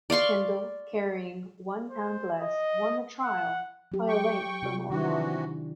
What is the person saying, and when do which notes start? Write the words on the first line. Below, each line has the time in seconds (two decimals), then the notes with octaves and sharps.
Kendal, carrying one pound less, won the trial by a length from Ormonde.
0.10 D5 F5 C6 C#6
1.90 C5
2.40 D#5
3.24 F#5
3.92 F#3 G4
4.08 G5 C#6
4.62 C3 F4 G4
4.90 C3 D#3 E3 D4 E4 F#4